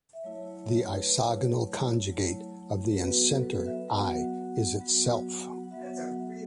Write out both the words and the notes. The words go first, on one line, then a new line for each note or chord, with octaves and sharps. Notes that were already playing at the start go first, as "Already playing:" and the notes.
The isogonal conjugate of the incentre "I" is itself.
E5
F#3 A3 E4 C#5
C#5
C#5
B4
F#3 A3 E4 C#5
F#3 A3 E4
F#3 B3 F#4 B4
A4
B4
E5
F#3 B3 F#4 F#5
F#3 B3 F#4
F#5
F#3 B3 F#4 E5
F#5
E5